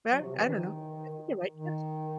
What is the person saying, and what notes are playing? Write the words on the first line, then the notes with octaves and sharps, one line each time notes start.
They're I don't know. I think you're right, yes.
F#3
C3
E3
D#3
D#3